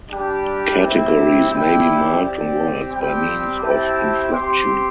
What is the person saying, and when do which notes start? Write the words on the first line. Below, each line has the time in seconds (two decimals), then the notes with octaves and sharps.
Categories may be marked on words by means of inflection.
0.10 G3 D4 G4
0.81 C4 E4 G4
1.50 G3 E4 G4 G5
2.21 C4 G4 D5
2.91 G3 C4 G4 G5
3.61 C4 E4 G4 A5
4.31 C4 G4 C6